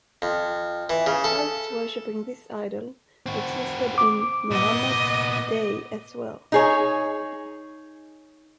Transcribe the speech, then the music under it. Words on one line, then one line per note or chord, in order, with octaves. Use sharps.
Cults worshipping this idol existed in Muhammad's day as well.
F2
E3
C#3
A4
C4 F#4
D6
A#2 B3 D#5
D#4 G#4 C#5